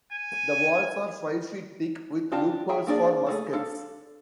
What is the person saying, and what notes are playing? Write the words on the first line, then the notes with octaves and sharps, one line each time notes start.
The walls are five feet thick with loopholes for muskets.
G#5
D4 F4 G4 A5
G#4 E5 G5
A#3 D4 G#4 D5
A3 G#4 A4
D4 A4 F5